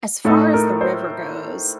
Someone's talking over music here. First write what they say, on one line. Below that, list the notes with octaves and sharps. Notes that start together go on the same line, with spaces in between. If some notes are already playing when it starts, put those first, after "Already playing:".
As far as the river goes,
A2 A3 D#4 A4
A#4
C5